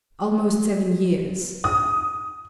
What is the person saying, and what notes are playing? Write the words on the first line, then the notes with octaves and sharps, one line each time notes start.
"Almost seven years."
D#6